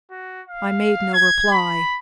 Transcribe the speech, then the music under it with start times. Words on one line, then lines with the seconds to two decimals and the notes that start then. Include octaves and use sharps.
I made no reply.
0.11 F#4
0.47 F5
1.13 G#6
1.52 B5